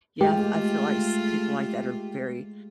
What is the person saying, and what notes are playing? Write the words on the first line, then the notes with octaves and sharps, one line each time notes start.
Yeah, f I feel, like, s people like that are very
G#3 A3 F4 G4